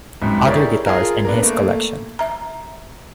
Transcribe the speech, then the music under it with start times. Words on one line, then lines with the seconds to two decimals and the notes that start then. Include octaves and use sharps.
Other guitars in his collection.
0.22 G#1 F#2
0.44 E4 G4 G#4 A#4 C#5 D5
0.86 F4 G#4 A#4
1.25 B3 D4 A#4
1.43 A3 A#3
2.19 E5 A#5